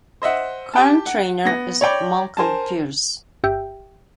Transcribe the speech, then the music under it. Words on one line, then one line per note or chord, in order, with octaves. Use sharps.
Current Trainer is Malcolm Pierce.
C5 D#5 E5 F#5
G4 G5 A5
F#5
B3 A#6
C#5 D5 G5 B5
A#4 C5 G#5 A5
G1 G4 E5 G5